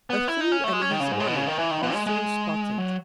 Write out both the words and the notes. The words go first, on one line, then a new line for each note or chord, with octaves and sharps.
A fool and his money are soon spotted.
B3
E4
D#4
C#4
A3
G#3
C#4
D#3
C#3
G#2
A2
B2
C#3
D#3
E3
D#3
B2
G#3
G#3
F#3